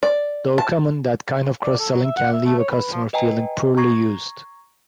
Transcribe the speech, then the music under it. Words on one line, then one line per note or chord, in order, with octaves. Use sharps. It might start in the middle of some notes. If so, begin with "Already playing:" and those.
Though common, that kind of cross-selling can leave a customer feeling poorly used.
D5
A5
D5
A4
F#3
E5
F#5
E5
A3
C#5
B4
F3
B4 D#5 G5 G#5 A#5
A#5 C#6 G#6 A#6 C7